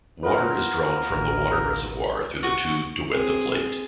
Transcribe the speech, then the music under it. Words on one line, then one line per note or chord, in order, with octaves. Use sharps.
Water is drawn from the water reservoir through the tube to wet the plate.
B3 F4 A#4 B4
A1
F#4
C4 G#4